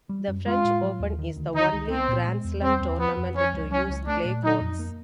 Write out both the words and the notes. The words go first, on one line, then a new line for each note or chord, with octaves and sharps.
The French Open is the only Grand Slam tournament to use clay courts.
G3
F#2
G#3 F4
A2
F#3
D#2
D#3
D2
D#3 D#4
C#2
B3 C4
A#2
G#3
E2
G3 C4
D#2
F3 B3
F2
F3 C#4
C#2
F#3 C#4
C#2
A3 D4
A#2
F#3 D#4
F2
A#3